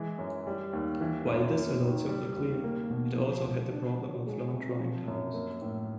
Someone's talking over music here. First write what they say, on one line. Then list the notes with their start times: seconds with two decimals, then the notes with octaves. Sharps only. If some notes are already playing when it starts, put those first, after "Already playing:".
While this allowed simple cleaning, it also had the problem of long drying times.
Already playing: E3 G#3
0.19 F#2
0.47 G3
0.73 D#2
1.01 E3
1.27 F#2
1.55 A#3
1.82 D#3
2.09 G3
2.36 D#2
2.64 A#3
2.90 B2
3.17 F3
3.44 C#2
3.72 D4
3.98 F#3
4.26 G#3
4.53 C3
4.80 F3
5.08 F#2
5.34 A#3
5.62 A2